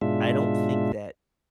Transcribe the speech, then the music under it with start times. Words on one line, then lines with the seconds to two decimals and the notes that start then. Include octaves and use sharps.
I don't think that
0.01 G#2 B2 G#3 D4 F4 E5